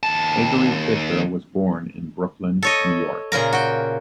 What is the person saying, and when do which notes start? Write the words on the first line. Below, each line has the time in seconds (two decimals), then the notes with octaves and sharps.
Avery Fisher was born in Brooklyn, New York.
0.03 D#2 A5
2.63 A4 C#5 D#5
3.32 A#2 C#3 A#4 A#5
3.53 F#4 G5